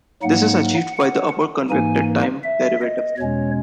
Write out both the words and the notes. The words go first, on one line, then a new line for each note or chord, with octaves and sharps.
This is achieved by the upper convected time derivative.
G#2 F#3 A#3 D#4 F#5
F#5
F#5
G#2 E3 A#3 D#4 G#5
E5
D#5
E2 B2 G#3 C#4 C#5